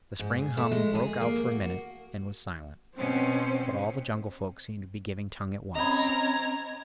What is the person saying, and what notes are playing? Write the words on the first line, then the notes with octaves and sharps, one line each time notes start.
The spring hum broke out for a minute, and was silent, but all the Jungle Folk seemed to be giving tongue at once.
G#2
G#4
A3
G#3
G#4
A#3
F#4
B2 C4 C#4 C5
C4 C#4 D#5 A#5 B5 G#6